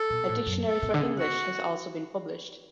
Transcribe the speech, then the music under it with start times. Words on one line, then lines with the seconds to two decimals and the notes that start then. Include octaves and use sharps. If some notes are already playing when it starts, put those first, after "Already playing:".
A dictionary for Hinglish has also been published.
Already playing: A4
0.10 B2
0.29 A2
0.46 F#2
0.65 A4
0.82 B2
0.94 D3
1.01 C#3
1.18 F#4